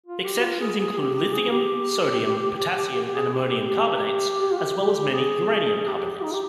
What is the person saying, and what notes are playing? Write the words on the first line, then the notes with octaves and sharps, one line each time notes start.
Exceptions include lithium, sodium, potassium and ammonium carbonates, as well as many uranium carbonates.
F4
G4
F4
G#4
G#4
G4
G4
G#4
G4
G4
G#4
G4
G4
G4
G4
F4
G4
G#4
G4
G4
D#4
G4